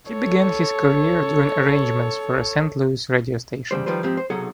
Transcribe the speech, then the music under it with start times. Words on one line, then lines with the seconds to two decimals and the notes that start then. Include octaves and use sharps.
He began his career doing arrangements for a Saint Louis radio station.
0.11 A4 C#5
3.71 E2 C#3 G3 C5
3.86 D#3 F3 G3 F4 B4 C5
4.03 G#2 F3 C4 G4
4.17 C5
4.30 B1 C3 F#3 G#4 A4 F#5